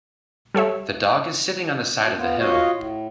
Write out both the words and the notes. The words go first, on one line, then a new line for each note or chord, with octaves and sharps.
The dog is sitting on the side of the hill.
G3 A4 C#5 E5
B2
B3 F4
F4 F#4 C#5 D#5 F5
A2